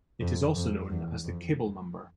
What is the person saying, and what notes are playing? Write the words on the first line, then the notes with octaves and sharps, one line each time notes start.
It is also known as the Kibel number.
F2
F2
E2
F2